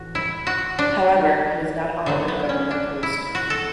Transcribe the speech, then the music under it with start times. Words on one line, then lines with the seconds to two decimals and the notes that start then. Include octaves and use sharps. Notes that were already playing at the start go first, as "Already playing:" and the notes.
However, he was not offered a government post.
Already playing: A2 E3 F#4
0.15 E4
0.47 F#4
0.79 D4
2.06 D3 F#3 A3 B3
2.28 B3
2.49 C#4
2.71 D4
3.03 E4
3.35 F#4
3.50 A4